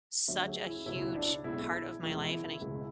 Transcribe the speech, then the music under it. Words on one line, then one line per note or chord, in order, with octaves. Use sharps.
such a huge part of my life, and a
D2 D3 F#3 E5
G#4
E4
C#2 B2 F#3 E4
E4
D4
B1 B2 G#3 E4
E1 E2 B2 G#3 E4
E4
C#2 B2 G#3 E4